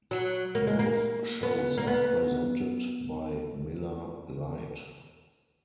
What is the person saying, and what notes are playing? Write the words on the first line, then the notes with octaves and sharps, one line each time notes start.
Both shows are presented by Miller Lite.
F#3
A#3
G#3
A#3
B3
A#3
B3